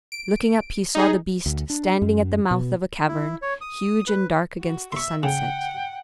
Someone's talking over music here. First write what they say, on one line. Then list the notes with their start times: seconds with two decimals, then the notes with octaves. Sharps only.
Looking up he saw the beast standing at the mouth of a cavern, huge and dark against the sunset.
0.12 D7
0.95 D#4 G#4
1.46 D2
1.70 D4
2.02 F#2
2.51 B2
3.08 E4
3.42 C#5
3.61 D#6
4.07 B4
4.60 F#4
4.92 E5 C6 C#6
5.23 C#3 F#5 G5